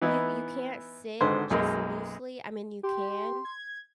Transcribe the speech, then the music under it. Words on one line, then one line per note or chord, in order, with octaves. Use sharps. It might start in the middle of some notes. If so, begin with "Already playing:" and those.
you you can't sit just loosely, I mean, you can,
E3 B3 D#4 E4
G#1 G#2 D3 B4 C5
B1 F#2 G#3 A#3
G4 C6
G#6